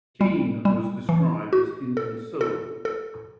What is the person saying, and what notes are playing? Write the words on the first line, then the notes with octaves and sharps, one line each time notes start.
Keane was described as "inconsolable".
G3
G3
E3
F#4
A4
A4
A4